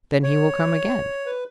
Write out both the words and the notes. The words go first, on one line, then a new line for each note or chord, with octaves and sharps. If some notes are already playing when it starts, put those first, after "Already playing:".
"Then he will come again."
C#5
B4